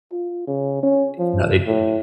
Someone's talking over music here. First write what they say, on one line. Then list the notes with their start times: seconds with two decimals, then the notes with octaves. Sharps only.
e now they
0.12 F4
0.47 C#3
0.83 C#4
1.19 F3
1.67 A2